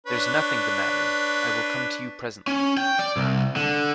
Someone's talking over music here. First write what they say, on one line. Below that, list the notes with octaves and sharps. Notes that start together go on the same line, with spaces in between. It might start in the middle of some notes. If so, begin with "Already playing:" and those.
There's nothing the matter; I will come to you presently.
D4 B4 C#5
C#4
G5
D5
C2
D3